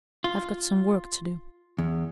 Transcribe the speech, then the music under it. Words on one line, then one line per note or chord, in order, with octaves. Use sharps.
I've got some work to do.
F4
E2